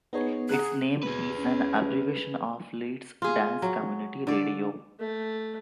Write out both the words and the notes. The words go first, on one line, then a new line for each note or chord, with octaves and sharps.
Its name is an abbreviation of Leeds Dance Community Radio.
B3 D#4 G#4 C#5
G#4 F#5 A#5 F#6
B2 G#4 B4
C#4
F4 G#4
F#3
D3 D5
A3